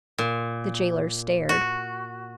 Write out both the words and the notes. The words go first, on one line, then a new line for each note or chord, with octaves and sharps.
The jailer stared.
A#2
F#4